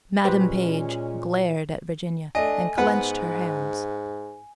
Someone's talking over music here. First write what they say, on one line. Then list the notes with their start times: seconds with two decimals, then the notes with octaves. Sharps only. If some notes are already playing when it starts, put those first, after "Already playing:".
Madam Page glared at Virginia and clenched her hands.
0.25 A#2 G#3 C#4 G4 B4 C5
2.35 A3 D4 D#5 G#5
2.78 G#2 B3 B4 F#5